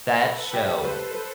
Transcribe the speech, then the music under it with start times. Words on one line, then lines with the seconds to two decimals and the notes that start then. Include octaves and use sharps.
That show,
0.23 A4 B5
0.38 B4
0.44 A4
0.53 G4
0.64 B4
0.84 B4 C5
1.14 B4